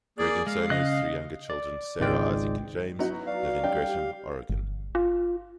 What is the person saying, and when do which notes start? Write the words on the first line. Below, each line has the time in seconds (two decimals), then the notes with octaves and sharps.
Gregg and Sono's three younger children Sarah, Isaac, and James live in Gresham, Oregon.
0.18 A#3 G#4 D5
0.47 G#3 F5
0.70 C#3 D#5 F#6
1.50 D5
1.99 G#1 C#2 G#2 G#3 D5 G5
2.99 F#3 B3 D#4 E4
3.26 D5 F5
3.64 G3 C#4 D#4 G5
3.88 G4
4.50 G1
4.95 F4